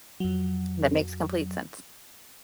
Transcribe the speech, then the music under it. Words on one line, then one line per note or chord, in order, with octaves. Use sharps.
That makes complete sense.
F2 F#3